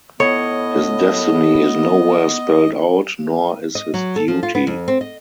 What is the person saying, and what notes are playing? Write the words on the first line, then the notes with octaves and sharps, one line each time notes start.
His destiny is nowhere spelled out, nor is his duty.
A2 B3 C#5 D#5
D#5
F#3
A4
F3
F4
B3
F2
C4
D#5